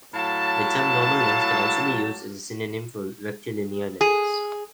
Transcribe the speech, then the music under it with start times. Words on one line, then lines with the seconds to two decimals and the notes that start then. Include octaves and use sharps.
The term normal lens can also be used as a synonym for rectilinear lens.
0.14 A2 F#3 F5 A5
4.01 G#4